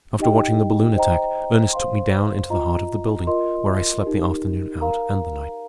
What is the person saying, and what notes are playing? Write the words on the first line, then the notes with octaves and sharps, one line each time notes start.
After watching the balloon attack, Ernest took me down into the heart of the building, where I slept the afternoon out and the night.
D#4 G4 D#5 G5
C5 D#5 G5 A#5
C5 F5 C6
F4 D#5 A#5
F4 A#4 D#5 C6
D#4 G4 A#4
A#4 F5 A#5